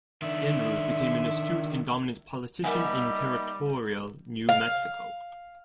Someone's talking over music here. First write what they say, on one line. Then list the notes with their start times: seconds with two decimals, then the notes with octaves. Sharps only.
Andrews became an astute and dominant politician in territorial New Mexico.
0.22 D#3 D4 E5
2.64 G3 A#3 D#4 A#4 E5 F#5 G#5
4.49 F5